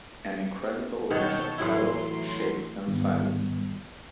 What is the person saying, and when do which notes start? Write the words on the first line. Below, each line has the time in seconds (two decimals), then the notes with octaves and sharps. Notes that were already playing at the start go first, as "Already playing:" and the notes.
An incredible range of colors, shapes and sizes.
1.10 B2 D#3 B3 C#5 A5 G6
1.58 A2 C3 E3 F#3 E4 C6
2.87 G#2 D#3 G3 B3